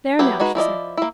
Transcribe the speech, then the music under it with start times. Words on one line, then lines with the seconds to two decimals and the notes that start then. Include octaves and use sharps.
'There, now!' she said.
0.19 F#3 B3 E4 G4
0.40 G#3 D#4 F#4 B4
0.55 F3 E4 D5 D#5
0.97 A#3 E4